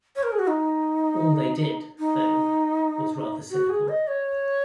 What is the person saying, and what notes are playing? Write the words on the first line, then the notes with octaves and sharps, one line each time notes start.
All they did, though, was rather cynical.
C#5
A#4
G#4
F#4
D#4
D#4
F#4
G#4
D#5
C#5